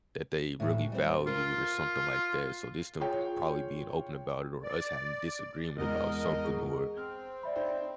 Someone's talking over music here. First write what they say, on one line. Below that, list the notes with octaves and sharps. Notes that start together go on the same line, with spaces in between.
that they really valued or something like that, so this them p probably being open about it or us having disagreement about something or
A2 E3 F#3
G3 C4
F4 A#4
F4 G#4 C#5 G5
D5
E2 G#3 A#4 D#5
G#4
C4 F6
D5 E5 B5
D#4 C5 G5